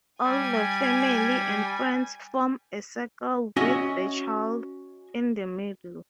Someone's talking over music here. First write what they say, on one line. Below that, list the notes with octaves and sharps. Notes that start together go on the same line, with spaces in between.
All the family and friends form a circle with the child in the middle.
G3 G#5 G#6
C#4 F#4 D#5 E5 G#5